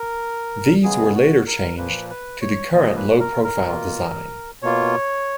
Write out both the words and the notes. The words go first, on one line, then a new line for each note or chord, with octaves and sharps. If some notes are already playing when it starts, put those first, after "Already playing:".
These were later changed to the current low-profile design.
Already playing: A#4
C#3 G#3 B3 G#4
F#4
A#4
A#2 F3 A#3 B4
B4
C#5
A#2 F3 A#3 D#5
B4
A#4
A#4
B2 A#3 F4
B2 A#3 F4 C#5